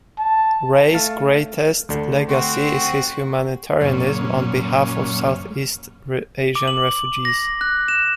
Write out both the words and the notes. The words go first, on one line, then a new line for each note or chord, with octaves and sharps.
Ray's greatest legacy is his humanitarianism on behalf of Southeast Asian refugees.
A5
A3 F5 A5
D2 D3
C4 F#4
F#2 A#2 C#4
D6
F#7
A#6
F#6
E7